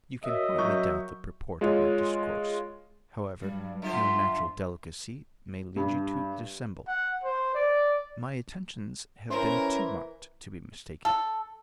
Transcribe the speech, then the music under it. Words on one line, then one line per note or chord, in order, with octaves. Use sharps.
You can hardly doubt the purport of my discourse, however your natural delicacy may lead you to dissemble; my attentions have been too marked to be mistaken.
F#4 A#4 C#5 D#5 E5
F#3 C#6 G6
G#3 F4 C#5
G2 F#3 G3
D3 F4 C5 E5
G2
F#5
C5
D5
E3 C#4 A#4 C5
A4